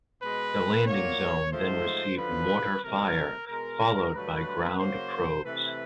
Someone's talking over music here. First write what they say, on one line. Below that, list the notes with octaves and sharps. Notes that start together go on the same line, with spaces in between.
The landing zone then received mortar fire followed by ground probes.
B2 G#3 B4
A#2 F#3 A#3 C#5
G#2 F3 A3 C5
F#2 D3 F3 B4
C3 D#3 F#3 A3 A#4
B2 G#3 A#4
G2 D3 F#3 A3 B4
C#3 F#3 A#3 C5
C3 E3 A3 B4